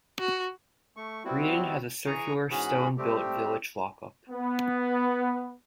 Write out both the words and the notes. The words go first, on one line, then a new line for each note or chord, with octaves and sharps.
Breedon has a circular stone-built village lock-up.
F#4
A3 C#6
G3 B3 C4 E4 F#4
E3 G#4 G#5 A#5 C#6
G#2 E3 C#4 F#4 G#4 B5
G3 A3 C4 G4
B3